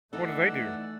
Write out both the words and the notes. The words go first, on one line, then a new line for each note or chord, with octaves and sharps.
What do they do?
E3 A3 D#4 A4 D5 F#5 E6